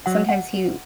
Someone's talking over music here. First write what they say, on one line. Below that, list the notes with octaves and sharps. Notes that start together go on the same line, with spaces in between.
sometimes he
F#3 F#5
F#5